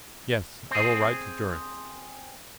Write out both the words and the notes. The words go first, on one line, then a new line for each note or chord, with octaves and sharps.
"Yes, I will write to Durrance."
C4 G#4